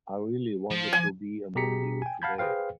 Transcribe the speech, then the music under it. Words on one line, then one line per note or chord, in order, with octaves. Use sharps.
I really wanted to be among you today.
F3
G#5
B2 G4 G#4 A#5 B6 C#7
G5 G#5
F5 F#5 A5 B5 G6 G#6
G#4 B4 C5 F5 G5